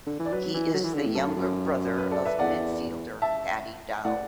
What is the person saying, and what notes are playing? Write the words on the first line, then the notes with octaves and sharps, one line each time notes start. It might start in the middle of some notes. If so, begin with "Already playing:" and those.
He is the younger brother of midfielder Paddy Dow.
D3
E3
D5
F#3 B4
E3
F#3
E3
D3
A2
F#2 A4
F#2
B4
A4 D5
B4 E5
E2 D5 F#5
E5 A5
A2 D5 F#5